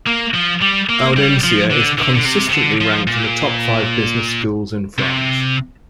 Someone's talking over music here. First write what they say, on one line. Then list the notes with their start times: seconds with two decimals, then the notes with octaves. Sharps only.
Audencia is consistently ranked in the top five business schools in France.
0.07 A#3
0.34 F3
0.62 G3
0.89 A#3
1.16 G3
1.44 F3
1.71 D3
1.98 D3
2.15 D3
2.25 C3
2.49 C3
2.52 D3
2.81 F3
3.07 A#2
4.98 C3